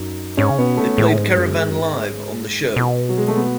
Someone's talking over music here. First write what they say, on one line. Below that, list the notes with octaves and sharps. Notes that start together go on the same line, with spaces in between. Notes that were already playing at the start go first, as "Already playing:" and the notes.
They played Caravan live on the show.
Already playing: F#2 D#4
G#2 C#4
C#3
B2 B3
A3
A2 G#3
G#2
F#2
G#2
F#2
G#2
B2
F#3
G#3
A3
B3